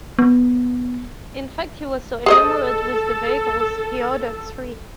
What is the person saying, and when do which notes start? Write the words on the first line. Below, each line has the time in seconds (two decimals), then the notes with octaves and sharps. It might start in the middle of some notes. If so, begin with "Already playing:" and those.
In fact, he was so enamoured with the vehicles, he ordered three.
0.19 B3
2.26 G#4 A4 C5 D#5